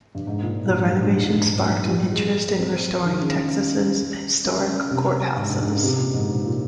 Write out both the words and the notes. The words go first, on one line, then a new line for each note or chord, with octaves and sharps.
The renovation sparked an interest in restoring Texas's historic courthouses.
G2
G#2
A#2
A#2
G#2
G2
G#2
G#2
G2
G#2
G#2
A#2
F3
G3
G#3
C4
D#3
C#3
C#3
C3
G#2
G2
G#2
C#3
C3
A#2
G#2
G#2
A#2